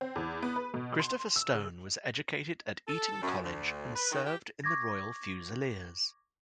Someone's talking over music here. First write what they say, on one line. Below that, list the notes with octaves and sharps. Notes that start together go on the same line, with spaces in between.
Christopher Stone was educated at Eton College and served in the Royal Fusiliers.
C4
E2
B3
B4
B2
C6
E6
C#3
A4
F#2
D2
B4
D#3
G4
C#6 D6 G#6 A#6